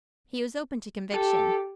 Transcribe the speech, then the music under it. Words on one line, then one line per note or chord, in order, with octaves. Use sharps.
He was open to conviction.
G4 A4